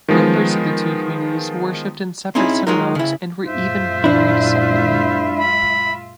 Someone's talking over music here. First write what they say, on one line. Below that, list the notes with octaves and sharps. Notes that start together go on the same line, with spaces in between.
Members of the two communities worshiped in separate synagogues and were even buried separately.
D#3 F3 G#3 B3
C4 C#4 D#4 E4 G#4
F#3 G#3 D#4 F4 A#4
C#3 E4
F#2 A#2 G#3 F4 C5 E5
D4 E4
B5